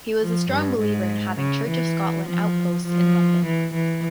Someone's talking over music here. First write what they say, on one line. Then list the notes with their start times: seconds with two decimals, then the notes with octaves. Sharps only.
He was a strong believer in having Church of Scotland outposts in London.
0.22 F3
0.51 G2
0.80 G#2
1.39 C#3
1.69 E3
2.28 F3
2.86 F3
3.46 E3
3.75 E3